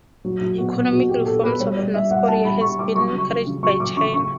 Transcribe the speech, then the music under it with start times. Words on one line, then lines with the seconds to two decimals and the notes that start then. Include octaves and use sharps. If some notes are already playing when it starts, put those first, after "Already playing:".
Economic reforms in North Korea has been encouraged by China.
0.25 F#3
0.41 F#3
0.58 B2 F#4
0.75 B2
0.92 B2 F#4
1.09 B2 G4
1.26 B2 A4
1.43 B2 B4
1.59 G3 C#5
1.77 G3 D5
1.94 G3 E5
2.11 G3 F#5
2.27 G3 A5
2.45 G3 B5
2.61 G3 C#6
2.78 G3 D6
2.95 F#3 C#6
3.13 C#3
3.18 C#6
3.29 C#3
3.46 C#3
3.63 F#3 C#6
3.80 F#3 D6
3.97 C#3 C#6
4.14 C#3 C#6